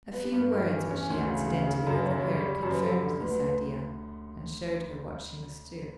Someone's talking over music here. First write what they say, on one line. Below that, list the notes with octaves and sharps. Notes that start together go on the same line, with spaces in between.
A few words which she accidentally overheard confirmed this idea, and showed her what she must do.
B3 B4
G4
G2
B4
G2
E3
C#4
D2
C#3
C#3
C#3
G4
F#2 A4
B4
F#2 C#5
G3
G3
F#2
B4
F#2 A4
D3
D2 B4
D2